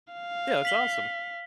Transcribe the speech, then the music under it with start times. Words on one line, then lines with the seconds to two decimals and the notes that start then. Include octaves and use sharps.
Yeah, that's awesome.
0.14 F5
0.65 B6 F#7 G7